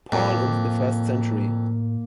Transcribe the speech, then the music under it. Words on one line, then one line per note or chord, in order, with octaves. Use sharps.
Paul into the first century.
F2 A2 A#3